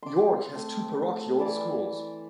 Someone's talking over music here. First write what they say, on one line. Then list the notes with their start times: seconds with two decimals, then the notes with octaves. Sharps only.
York has two parochial schools.
0.03 C6 D6
0.53 A3 C4
1.39 E3 D5 G#5